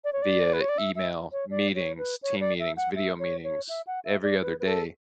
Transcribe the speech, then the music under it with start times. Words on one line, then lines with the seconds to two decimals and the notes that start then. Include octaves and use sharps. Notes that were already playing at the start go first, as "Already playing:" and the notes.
via email, meetings, team meetings, video meetings every other day,
0.04 D5
0.13 C#5
0.22 D5
0.53 B4
0.61 C#5
0.69 D5
0.78 E5
0.96 E5
1.32 C#5
1.51 D5
1.75 C#5
1.98 B4
2.22 C#5
2.40 D5
2.59 E5
2.77 F#5
2.95 E5
3.19 C#5
3.44 C#5
3.69 E5
3.87 F#5
4.05 E5
4.22 D5
4.41 B4
4.60 B4
4.65 A4